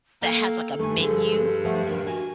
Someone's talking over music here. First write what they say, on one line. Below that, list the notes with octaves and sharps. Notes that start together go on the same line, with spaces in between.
that has, like, a menu
A#3 A4 G5
G2 A3 G#5
D3 F3 G#3 A4
F3 A3 F#5
A#2 D#3 A#4
F#4 G#5